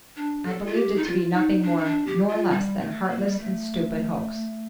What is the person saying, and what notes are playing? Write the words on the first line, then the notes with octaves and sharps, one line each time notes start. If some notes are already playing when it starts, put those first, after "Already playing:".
I believed it to be nothing more nor less than a heartless and stupid "hoax."
D4
A4
F4
G4
D#4
F4
D#4
D4
D#4
D4
G4
F4
G3
A3
A3
A#3
G3
A3